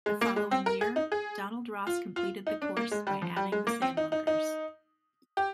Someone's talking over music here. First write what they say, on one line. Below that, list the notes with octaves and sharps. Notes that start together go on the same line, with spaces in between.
The following year, Donald Ross completed the course by adding the sand bunkers.
G#3
A#3
G#3
C4
A#4
G#4
D#4
G#4
F4
F4
D#4
D4
A#3
G#3
G3
F3
G3
G#3
A#3
C4
D#4
D#4
D#4
G4